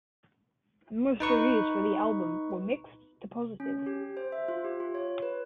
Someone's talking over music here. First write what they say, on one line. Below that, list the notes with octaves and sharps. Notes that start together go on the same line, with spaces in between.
Most reviews for the album were mixed to positive.
D#4 B4 C#6
C#4
G4
C5
E5
F4
G4
F4
C#5
B4